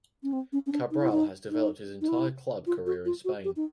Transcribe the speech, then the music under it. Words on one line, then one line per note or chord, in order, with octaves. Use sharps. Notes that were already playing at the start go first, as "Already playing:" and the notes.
Cabral has developed his entire club career in Spain.
C#4
C4
C#4
C#4
D4
D#4
E4
D#4
D#4
D#4
E4
F4
F#4
F4
F#4
G4
D#4